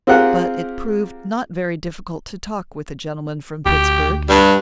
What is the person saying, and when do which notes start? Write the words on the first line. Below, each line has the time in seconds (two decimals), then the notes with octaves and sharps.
But it proved not very difficult to talk with the gentleman from Pittsburg.
0.07 C4 F4 G4 G#4 A#4 F#5
3.66 D2 G4
4.29 G2 G3